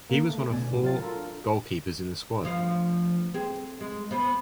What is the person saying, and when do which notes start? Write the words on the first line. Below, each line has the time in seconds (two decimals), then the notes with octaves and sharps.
He was one of four goalkeepers in the squad.
0.10 A#3
0.29 A3
0.50 D2 B2 D5 G#5
0.70 A2 C3
0.83 F#3 F4 F5 A6
1.02 D4 F4 A4 A#4
2.44 D2 F3 F5
3.34 C4 G#4
3.81 G#3
4.11 B3 C5